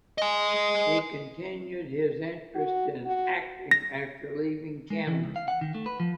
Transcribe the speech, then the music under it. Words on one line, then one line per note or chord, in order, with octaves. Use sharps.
He continued his interest in acting after leaving Cambridge.
D#5 G#5
F#4
F#4
A#6
G#3
E3
C#2
F5
F#5
D#3
A3
B4
F3